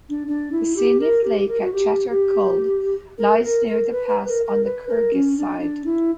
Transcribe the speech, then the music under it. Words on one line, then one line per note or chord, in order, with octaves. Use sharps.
The scenic Lake of Chatyr-Kul lies near the pass on the Kyrgyz side.
D4
D4
E4
G4
A#4
G4
A#4
F#4
G4
G4
A#4
A#4
A#4
B4
B4
A#4
A#4
B4
A#4
C#4
D4
D4
E4